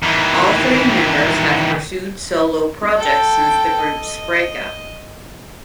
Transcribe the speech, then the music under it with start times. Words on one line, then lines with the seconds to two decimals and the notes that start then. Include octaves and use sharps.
All three members have pursued solo projects since the group's breakup.
0.03 D#3 E3
2.97 A4 G5
3.81 D#5